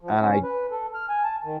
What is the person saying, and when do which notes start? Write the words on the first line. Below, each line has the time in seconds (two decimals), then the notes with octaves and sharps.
and I
0.01 F3
0.21 C#4
0.43 B4
0.71 A4
0.94 F6
1.09 G#5
1.24 A5
1.44 D#3